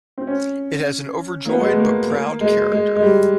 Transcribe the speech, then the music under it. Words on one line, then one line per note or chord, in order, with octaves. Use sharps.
It has an overjoyed but proud character.
C4
C#4
A#3
B3
G#3
A3
A#3
A#3
G#3
G#3
G#3
G3